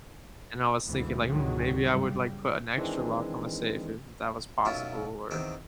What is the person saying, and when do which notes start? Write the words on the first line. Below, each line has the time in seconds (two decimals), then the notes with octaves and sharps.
and I was thinking like, "Hmm, maybe I would like put an extra lock on the safe if that was possible," or
0.84 F#1 D2 G#2 C3 E3
1.28 C#2 G#2 D3 D#3 F#3 G#3
1.87 G1 C#3 G3
2.77 D#3 E3 G#3 C4 D4
4.65 B1 F#2 E4 F4
5.31 E2 D#3 C4